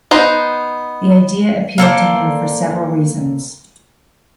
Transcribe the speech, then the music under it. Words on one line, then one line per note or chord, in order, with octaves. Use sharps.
The idea appealed to him for several reasons.
B3 D#4 C5
A#3 A4 C5 D5